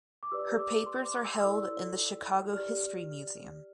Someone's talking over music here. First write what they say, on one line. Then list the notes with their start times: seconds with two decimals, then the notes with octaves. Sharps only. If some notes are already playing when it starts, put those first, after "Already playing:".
Her papers are held in the Chicago History Museum.
0.23 D6
0.32 G4 B4 D5 E6
0.59 D6
0.86 C6
1.05 D6
1.25 E6
1.42 E4 A4 D5 E6
2.53 G4 D5 F6